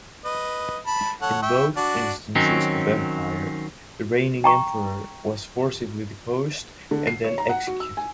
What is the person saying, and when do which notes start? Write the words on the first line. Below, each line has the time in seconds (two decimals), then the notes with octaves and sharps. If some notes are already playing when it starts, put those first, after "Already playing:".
In both instances of Empire, the reigning Emperor was forcibly deposed and then executed.
0.25 B4 D#5
0.86 A5 B5
1.22 A4 C#5 F#5
1.42 E5 G5 C#6
1.77 D4 F#4 D5
2.35 D#3 F#3 C4 C#4 D#4
4.44 G5 A#5 C#6
6.91 D3
7.07 C7
7.24 C#5
7.38 A#5
7.49 F#5
7.67 F#4
7.80 E6
7.97 G#5